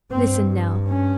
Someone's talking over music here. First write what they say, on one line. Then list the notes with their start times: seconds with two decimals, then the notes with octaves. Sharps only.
Listen now.
0.10 G2 C4
0.88 C#4